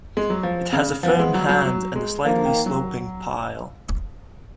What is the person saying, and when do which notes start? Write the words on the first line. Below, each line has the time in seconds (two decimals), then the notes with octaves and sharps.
It has a firm hand and a slightly sloping pile.
0.17 G#3
0.30 F#3
0.43 F3
0.73 C#3
1.03 F3 B3
1.19 G#3
1.34 F#3
1.49 F#3
1.65 F#3
1.96 G#3
2.25 F3 A#3
2.45 D#3
2.66 F#3